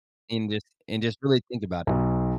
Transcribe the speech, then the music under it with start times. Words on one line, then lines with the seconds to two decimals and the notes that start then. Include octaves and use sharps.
and just and just really think about it.
1.87 B1